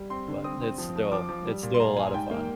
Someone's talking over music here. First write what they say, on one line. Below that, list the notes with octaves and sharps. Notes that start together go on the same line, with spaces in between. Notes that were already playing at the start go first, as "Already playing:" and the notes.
But, it's still it's still a lot of fun.
Already playing: G3
C4 C6
D3
C4 D#6
C4
F3
F3
F3 D6
F3
G3
A#2
C6
A#2 A#5
G3 G#5
G#2 G5
A#3